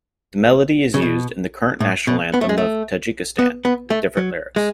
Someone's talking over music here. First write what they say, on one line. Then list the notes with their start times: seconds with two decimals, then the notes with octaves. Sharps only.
The melody is used in the current national anthem of Tajikistan, with different lyrics.
0.94 C#3
1.02 B2
1.80 A2
2.07 B2
2.34 B3
2.41 A3
2.49 G#3
2.58 A3
3.39 B3
3.65 B3
3.90 A3
4.17 F#3
4.56 G#3